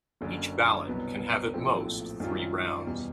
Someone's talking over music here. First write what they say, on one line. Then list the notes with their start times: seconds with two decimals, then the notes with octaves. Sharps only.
Each ballot can have at most three rounds.
0.21 F#1 F#2 D3 F#3
0.87 C2 B2 F#3 B3
1.54 A#1 A2 F3 A3 C4
2.20 F#2 D#3 G3 C4 F4
2.87 E2 B2 G3